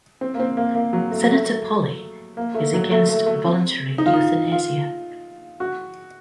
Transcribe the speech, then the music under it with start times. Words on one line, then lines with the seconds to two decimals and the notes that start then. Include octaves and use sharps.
Senator Polley is against voluntary euthanasia.
0.21 C4
0.34 A#3
0.40 C4
0.57 A#3
0.75 A#3
0.93 F#3
1.11 A3
1.23 F#3
1.35 A3
2.37 A#3
2.55 A3
2.74 F#3
2.91 A3
3.09 A3
3.26 A3
3.45 C4
3.98 D#4
4.06 F4
4.13 D#4
4.52 F4
5.60 F#4